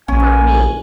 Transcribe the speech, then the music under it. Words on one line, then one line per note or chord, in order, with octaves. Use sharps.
for me
A#1 C#4 G#5